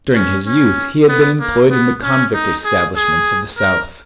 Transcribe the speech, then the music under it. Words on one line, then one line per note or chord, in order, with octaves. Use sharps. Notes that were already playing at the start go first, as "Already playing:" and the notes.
During his youth he had been employed in the convict establishments of the South.
C#4
C#4
B3
A#3
B3
C#4
D#4
G#4
G#4
A#4